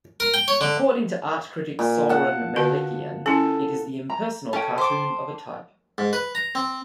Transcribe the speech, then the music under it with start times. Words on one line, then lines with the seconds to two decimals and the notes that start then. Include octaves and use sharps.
According to art critic Souren Melikian, it is the impersonal cartoon of a type.
0.20 A#4
0.34 G5
0.48 C#5
0.61 D3
1.79 A#2
2.09 F#5 A5
2.56 D3 F#4 B4
3.26 C#4 E4 A4
4.10 A#5
4.53 C#4 A4 G5
4.78 C5 D6
5.98 G#2
6.13 B4
6.35 A#5
6.55 C4